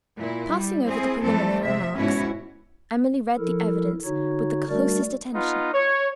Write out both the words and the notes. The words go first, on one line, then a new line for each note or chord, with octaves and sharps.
Passing over the preliminary remarks, Emily read the evidence with the closest attention.
A#2 E4
G3
C4 E4 G#4
F2 E3 G3 A3 C4 A4
C3 E5
G#2 B2 C#4 E4 F#4 C#5
F3 E4 A4 A#4
D3 D#4 F#4 C#5
G3 A3 D4 F#4 A#4 D5
B3 D#4 F4
C#5